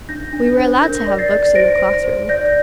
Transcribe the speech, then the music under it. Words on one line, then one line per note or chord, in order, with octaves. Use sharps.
We were allowed to have books in the cloth-room.
D4 G6 A#6
D4
C5
A#4 G6 A#6
D5
A6 C7
D5
C5 A#6 D7
C5
C5
D5 G6 A#6
G6